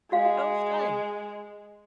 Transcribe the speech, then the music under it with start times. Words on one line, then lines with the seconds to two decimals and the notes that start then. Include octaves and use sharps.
Oh, fun.
0.12 G#3 F#4 F5